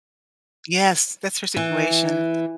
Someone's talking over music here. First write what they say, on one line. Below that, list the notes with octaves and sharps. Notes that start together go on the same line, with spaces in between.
Yes, that's your situation.
E3